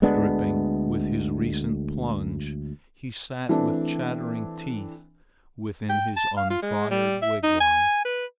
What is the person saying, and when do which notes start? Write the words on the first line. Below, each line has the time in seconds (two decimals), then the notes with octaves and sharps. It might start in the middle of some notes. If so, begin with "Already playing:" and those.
Dripping with his recent plunge he sat with chattering teeth within his unfired wigwam.
0.02 D2 G#3 B3 D4
3.49 E3 A3 C4 D4
5.89 G5
6.16 A5
6.37 F5
6.50 F4
6.62 G#3
6.91 G3
7.22 E5
7.43 D#4
7.61 G#5
8.05 B4